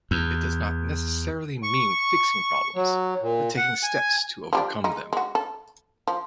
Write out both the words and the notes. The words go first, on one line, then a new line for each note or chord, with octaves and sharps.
It does not necessarily mean fixing problems but taking steps to overcome them.
E2
C#6
F#3
A#2
F#5
G#5
F3 G3 D4
G#3 D#4
G#3 F#4
A4
F3